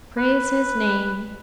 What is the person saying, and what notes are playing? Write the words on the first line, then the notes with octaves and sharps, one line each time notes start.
Praise his name!
B4